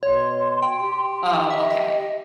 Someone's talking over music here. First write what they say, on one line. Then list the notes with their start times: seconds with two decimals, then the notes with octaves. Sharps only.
Oh, okay.
0.03 B2 C#5 C6
0.62 G5
0.81 G4
1.50 D#5 E5